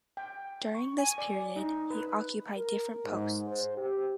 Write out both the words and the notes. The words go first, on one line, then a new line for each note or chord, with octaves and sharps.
During this period he occupied different posts.
G5
C#6
G#5
D5
D#4
B4
A#4
G#2
C5
G4